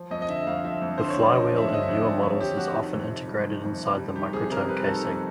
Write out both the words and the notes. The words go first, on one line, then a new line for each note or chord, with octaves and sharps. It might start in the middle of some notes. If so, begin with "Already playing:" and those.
The flywheel in newer models is often integrated inside the microtome casing.
Already playing: F3
F2 D#5
D#5
D3 E5
F2 F5
F3 E5
F2
D3 C5
C#5
F2 D5
F3 D#5
F2
E5
D3 D#5
E5
F2
F3 D5
F2 C#5
D3 G4
F2 F#4
D#3
F2
C3
G3
D#3
F2
C3
G3
D#3 G4
F2 G#4
C3 A#4
G3 B4
A#4
D#3 A4
F2